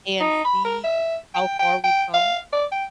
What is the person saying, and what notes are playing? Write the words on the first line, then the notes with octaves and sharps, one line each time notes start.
and see w how far we've come.
D#4
B5
A#4
E5
G5
G5
G5
F5
D5
G5